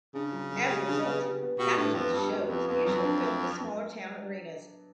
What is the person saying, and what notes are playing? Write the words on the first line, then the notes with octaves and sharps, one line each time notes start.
As a result, Capitol's shows usually filled the smaller town arenas.
C#3 D4
F#3
F#3
G4
D4
B3
G4
B3
B2 G4
A2 D4
F2 B3
G2 B3
F#2 G4
F2 B3
F2 B3
F2 F#3
D4